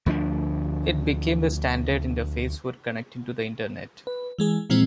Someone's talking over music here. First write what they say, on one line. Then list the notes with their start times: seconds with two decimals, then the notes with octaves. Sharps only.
It became the standard interface for connecting to the Internet.
0.06 D2 F3 F#3 D4
4.07 B4
4.39 E3 G#3 G#4
4.70 A#2 E3 F3 G#3 C4